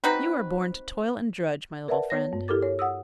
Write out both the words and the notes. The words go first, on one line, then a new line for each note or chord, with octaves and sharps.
You are born to toil and drudge, my little friend.
C4 D#4 F#4 B4
A#4 B4 D5 E5 F#5 A5
B3 C#5 A#6
G2
E4 G4 A4 A#4 D6 A6
C#5
F#5 D#6 E6